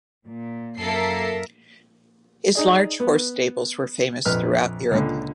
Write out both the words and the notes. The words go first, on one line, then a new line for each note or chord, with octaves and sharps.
His large horse stables were famous throughout Europe.
A#2
F#2 A#3 A4 A#4 E5 C7
D#4 G#4 D5
B3
A#1 F2 B4 F6
C#2 A#2 D3